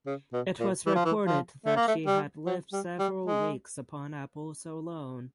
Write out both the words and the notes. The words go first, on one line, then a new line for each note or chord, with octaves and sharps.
It was reported that she had lived several weeks upon apples alone.
C#3
B2
A#2
E3
F3
E3
F3
A3
A#3
A3
G3
F#3
G3
G3
G#3